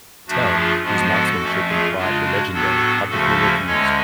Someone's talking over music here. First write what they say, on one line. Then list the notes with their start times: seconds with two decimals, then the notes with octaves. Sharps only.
Tell, whose marksmanship and pride were legendary, publicly refused.
0.27 F#2 F3 A3 D4 F#4
0.55 F4 G#4
0.84 G#2 F3 G#3 B3 D4 F#4
1.12 F#4 A4
1.40 F2 F3 A3 C#4
1.68 F4 G#4
1.97 C#3 G#3 D4 F4
2.24 F#4
2.53 A2 F#3 B3 D4 F#4 A4
3.09 D2 C#3 F3 A3 C#4 F#4 A4
3.66 D2 D3 G#3 C#4 A4 C#5